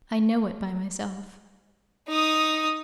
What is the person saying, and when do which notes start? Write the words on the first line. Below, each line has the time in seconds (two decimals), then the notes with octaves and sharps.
I know it by myself.
2.09 D#4 D#6